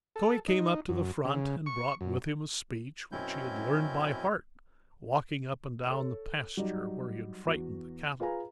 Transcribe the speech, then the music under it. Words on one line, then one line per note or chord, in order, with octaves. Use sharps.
So he came up to the front, and brought with him a speech which he had learned by heart walking up and down the pasture, where he had frightened the cattle.
A4
D#4
F#2
C#3
C#6
F#2
F#2 B2 C4 C#4 E4 G6
A4 C#5
F#3 G3 D#4
E2 F#4
F4 G#4 B4 F5 G#5 A#5